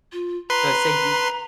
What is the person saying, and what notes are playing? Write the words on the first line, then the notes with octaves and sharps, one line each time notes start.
So I say use
F4
B4 A#5 C6